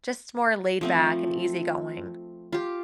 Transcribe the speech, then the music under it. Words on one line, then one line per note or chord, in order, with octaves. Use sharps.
just more laid back and easy-going.
F3 A3 C4
F4 G4